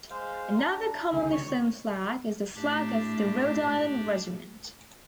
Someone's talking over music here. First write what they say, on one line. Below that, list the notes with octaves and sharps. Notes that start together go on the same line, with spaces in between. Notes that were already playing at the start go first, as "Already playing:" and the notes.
Another commonly flown flag is the Flag of the Rhode Island Regiment.
G#3 C5 F5
D4 A#5
C#2 D3 D#3 G#4
C#5 C#6
A2 D4 G4